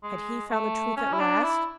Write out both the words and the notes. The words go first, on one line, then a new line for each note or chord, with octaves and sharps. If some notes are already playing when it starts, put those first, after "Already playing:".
Had he found the Truth at last?
G#3
A3
C#4
E4
D4
E4